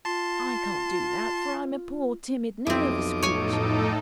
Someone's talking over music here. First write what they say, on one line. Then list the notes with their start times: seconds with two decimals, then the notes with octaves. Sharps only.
I can't do that, for I am a poor, timid, nervous creature.
0.05 F4 A5 C6
2.67 B1 F2 C4 E4 D#5 D6
3.23 A2 D#4 A4 C#5 G#5